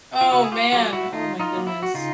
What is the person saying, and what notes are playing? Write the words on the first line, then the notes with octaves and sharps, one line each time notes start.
Oh man, oh my goodness.
F4
C#3 E4 F#4
G#4
F4 G4
F#3 A3 F4 G4
G4
E4 F#4
D#3 D#4 F4
D#4 F4
F#3 A#3
E4
F#4
C#3 D#4 F4